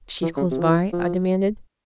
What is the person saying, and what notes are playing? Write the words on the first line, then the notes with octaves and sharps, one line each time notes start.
"She's close by?" I demanded.
E3
C#3
C3
F3
E3
F3